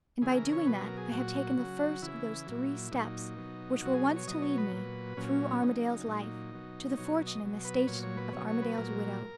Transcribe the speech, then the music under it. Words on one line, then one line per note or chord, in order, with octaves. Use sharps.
And by doing that I have taken the first of those three steps which were once to lead me, through Armadale's life, to the fortune and the station of Armadale's widow.
C#3 E3 G#4
A#4
C#5
B2 F#3 B4
A#4
G#4
A#2 F#3 F#4
C#3 F#3
C#3 E3 E4
A#2 F#3
A#2 F#3 D#4
B2 F#3
B2 F#3 F#4
G#4
C#5
C#5
B2 F#3 D#5
C#5
B4
A#2 F#3
A#2 F#3 C#4
C#3 F#3 D#4
A#2 F#3
B2 F#3
B2 F#3 C#5
D#5
B2 F#3
B4
A#2 F#3 C#5
C#5
B4
B2 F#3 C#5
C#5
B4
A#2 F#3 A#4